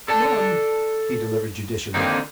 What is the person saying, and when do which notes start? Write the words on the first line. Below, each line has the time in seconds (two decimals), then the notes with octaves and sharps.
"None," he delivered judicially.
0.08 A4 D5 A5
1.94 D3 D#3 A#3 C4 D#4